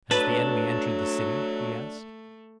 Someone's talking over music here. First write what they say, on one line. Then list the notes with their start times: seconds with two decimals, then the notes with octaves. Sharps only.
"Has the enemy entered the city?" he asked.
0.11 F#3 A3 D4 B4 A5